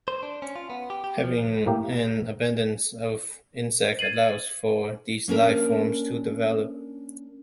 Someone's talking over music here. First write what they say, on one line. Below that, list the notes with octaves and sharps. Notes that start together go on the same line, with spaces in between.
Having an abundance of insects allows for these life-forms to develop.
C5
D4
C#4
F4
B3
G4
G4
F3
A2 A#3 G4
G#6 A6 C7 D#7 F#7
A#3 C#4 D4 A#4